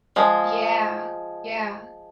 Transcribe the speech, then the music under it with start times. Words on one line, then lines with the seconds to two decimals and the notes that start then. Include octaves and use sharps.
Yeah, yeah.
0.16 F3 G#3